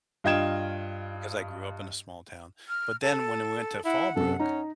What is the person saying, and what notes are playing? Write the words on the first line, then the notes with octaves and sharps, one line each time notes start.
Because I grew up in a small town. But then, when we went to Fallbrook,
G2 F4 D#5 G5 G#6 E7
F6
A4
E4 F#5
F#2 C3 A4
C#4 D#4